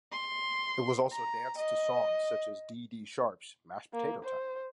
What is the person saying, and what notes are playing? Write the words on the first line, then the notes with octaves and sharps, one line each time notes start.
It was also danced to songs such as Dee Dee Sharp's "Mashed Potato Time".
C6
A#5
D#5
A#3
C5